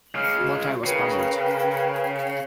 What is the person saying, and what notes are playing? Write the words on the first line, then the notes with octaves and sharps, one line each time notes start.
But I was puzzled.
C#3 G#3 F6
C#3 A#4 B4 G5